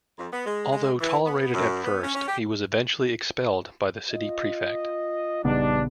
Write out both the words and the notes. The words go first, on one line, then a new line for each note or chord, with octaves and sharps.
Although tolerated at first, he was eventually expelled by the City Prefect.
F2
B3
G#3
G#3
E3
B3
F#2
B3
C#4
C#4
G4
F4 D#5
A#1 E2 G2 C#3 B3 D4 D#4